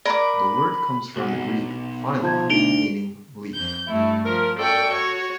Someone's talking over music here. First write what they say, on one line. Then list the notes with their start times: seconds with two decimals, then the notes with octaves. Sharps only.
The word comes from the Greek "phyllon", meaning "leaf".
0.05 A#4 D5 B5 D6
1.16 B1 F#4 F#5
2.23 F3 A5 G6 G#6
2.50 D2 D#4 D7 F7 G7
3.53 F2 G6
3.87 G2 A3 E4
4.26 F3 A#4
4.58 F#2 A4 D5 G5 C#6
4.93 F#4 C#5